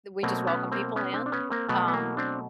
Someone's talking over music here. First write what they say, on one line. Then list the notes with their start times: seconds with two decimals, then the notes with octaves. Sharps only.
we just welcome people in. Um,
0.23 B2 F#3 A3 A#3 C4
0.47 B3 C#4
0.72 A#3 C4
0.96 B3 C#4
1.14 C4 D4
1.26 D4
1.32 B3 C#4
1.50 A#3 C4
1.69 B2 F#3 A3 B3
1.88 B3
1.94 A#3
2.17 C4 D4